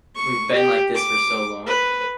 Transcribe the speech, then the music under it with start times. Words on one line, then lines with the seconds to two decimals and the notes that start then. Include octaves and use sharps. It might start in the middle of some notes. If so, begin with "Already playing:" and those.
We've been like this for so long.
0.15 C#6
0.53 G4
0.95 D6
1.67 B4